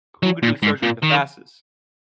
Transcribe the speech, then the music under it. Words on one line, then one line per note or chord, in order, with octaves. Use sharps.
who could do surgery the fastest?
F#3
A#2
G#2
A#2
D#3